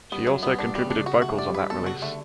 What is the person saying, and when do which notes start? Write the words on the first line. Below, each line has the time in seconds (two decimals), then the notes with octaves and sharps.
She also contributed vocals on that release.
0.12 G2 B3
0.27 F#2 F#3
0.43 G2 B3
0.59 G2 D4
0.75 B2 G3
0.85 C#3
0.90 D4
0.96 C#3
1.06 F#4
1.17 A2 F#4
1.28 A2
1.38 G2 D5
1.49 G2
1.54 B4
1.70 B2 A4
1.80 C#3
1.86 F#4
2.02 D3 A3